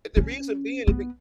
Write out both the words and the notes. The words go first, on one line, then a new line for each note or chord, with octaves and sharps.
and the reason being it b
C#4
B3